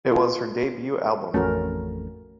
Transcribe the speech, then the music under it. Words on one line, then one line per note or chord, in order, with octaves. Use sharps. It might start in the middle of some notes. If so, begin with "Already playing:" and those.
It was her debut album.
F4
A1 F2 A3 C#4 F#4 A#4